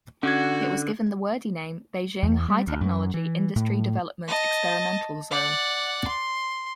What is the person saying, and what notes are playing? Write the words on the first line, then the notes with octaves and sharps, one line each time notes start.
It was given the wordy name Beijing High-Technology Industry Development Experimental Zone.
D3 C#4 F#4 G#6
E2
G3
D2
F#2
E3
A2
D#5 A5
D5 F#5
C6